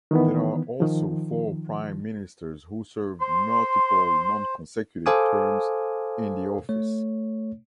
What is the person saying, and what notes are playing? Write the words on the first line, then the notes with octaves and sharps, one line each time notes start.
There are also four prime ministers who served multiple non-consecutive terms in the office.
D#3 E3 B3
D#3 F3
C5 C6
A4 C5 F5 G#5 D6 D#6
A3 C#5